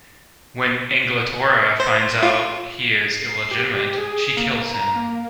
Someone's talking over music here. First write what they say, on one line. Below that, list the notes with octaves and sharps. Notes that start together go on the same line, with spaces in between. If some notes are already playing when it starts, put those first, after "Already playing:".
When Anglitora finds out he is illegitimate, she kills him.
C5
F4
C7
G4
G#4
A#3
A#5
A#3